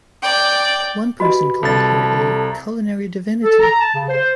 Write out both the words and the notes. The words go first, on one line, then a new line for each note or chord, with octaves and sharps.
One person called her a "culinary divinity".
D5 G5
F#4 G4 B4 D#5 B5
C2 A4 A6
A#5
A4
A#5
A5
C#3
C5